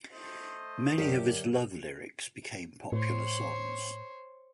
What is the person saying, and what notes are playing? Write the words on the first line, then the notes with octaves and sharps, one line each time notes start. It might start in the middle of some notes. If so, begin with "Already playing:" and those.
Many of his love lyrics became popular songs.
A3 C5 D#5
F#2 D3 G4 A#4
A2 C5 C#5